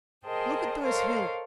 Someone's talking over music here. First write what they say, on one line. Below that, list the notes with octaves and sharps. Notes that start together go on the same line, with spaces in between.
Look at those hills!
G#4 A#4 C5 D#5 G5 A5
A4 A#4 C5 C#5 D#5 F5